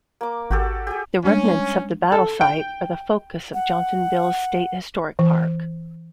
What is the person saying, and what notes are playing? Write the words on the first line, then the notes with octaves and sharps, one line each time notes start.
The remnants of the battle site are the focus of Johnsonville State Historic Park.
A#3 D6
G#1 F#4 G4 A4
G4 G#4
G3 G#3 C#4 D4
A4
G5
F#5
E3